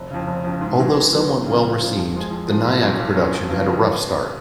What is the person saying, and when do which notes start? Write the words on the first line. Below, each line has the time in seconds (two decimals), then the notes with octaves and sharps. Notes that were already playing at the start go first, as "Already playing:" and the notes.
Although somewhat well received, the Nyack production had a rough start.
Already playing: F1
0.11 F2 C#3
0.27 F1
0.45 F2 C#3
0.61 G#2
0.79 D#3 F#3 B3
0.95 G#2
1.12 D#3 F#3 B3
1.29 C#2
1.46 C#3 F3
1.63 C#2
1.80 C#3 F3
1.97 F2
2.14 F3 G#3
2.31 F2
2.48 F3 G#3
2.65 B1
2.82 A#2 F#3 C#4
2.99 B1
3.15 A#2 F#3 C#4
3.32 F2
3.49 C#3 F#3 B3 F4
3.66 F2